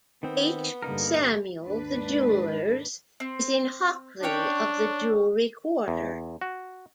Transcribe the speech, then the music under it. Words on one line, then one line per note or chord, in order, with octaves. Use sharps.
H. Samuel, the jewellers, is in Hockley of the Jewellery Quarter.
D#3 B3 C4
G2 D3 G3 A#3 D#4 A#4
D#2 G#2 D4 B4
C4
C#4 D4 C#5 G5
E2
F#4